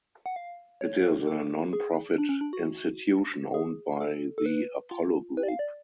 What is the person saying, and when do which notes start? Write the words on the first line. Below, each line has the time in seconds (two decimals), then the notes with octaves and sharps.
It is a nonprofit institution owned by the Apollo Group.
0.26 F#5
0.36 F5
0.81 C#5
1.27 A4
1.73 G#4
2.18 D4
2.29 C#4
2.41 D4
2.53 F#4
3.54 G#4
4.00 A4
4.38 A4
4.46 B4
4.91 F4
5.37 B4
5.43 D5
5.48 F5
5.59 D5